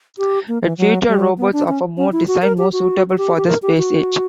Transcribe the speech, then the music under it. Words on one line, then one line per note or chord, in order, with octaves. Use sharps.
It featured robots of a more design more suitable for the Space Age.
G4
A#3
E3
F#3
G3
B3
D4
C#4
C#4
E4
F#4
A#4
G4
F#4
F#4
G4
G4
A#4
G4
F#4